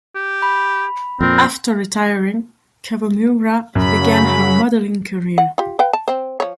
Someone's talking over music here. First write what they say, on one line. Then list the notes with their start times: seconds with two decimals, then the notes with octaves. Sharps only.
After retiring, Kawamura began her modeling career.
0.15 G4
0.42 B5
1.21 F2 A#2 C4 A#4
3.75 F#2 C#3 F#3 B5
5.38 F#5
5.58 F4 G4
5.79 B4 F5 G5
5.93 A5
6.08 C4 C5
6.40 F3 C#5